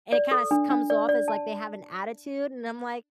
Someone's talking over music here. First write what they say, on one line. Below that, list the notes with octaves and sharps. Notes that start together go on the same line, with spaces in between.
And it kinda s comes off as like they have an attitude, and I'm, like,
D5
A4
D4
D4
D5
D5
A5